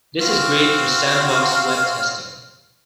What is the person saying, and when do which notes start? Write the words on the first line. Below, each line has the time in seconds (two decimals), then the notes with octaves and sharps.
This is great for sandboxed web testing.
0.21 C4 F#4 F5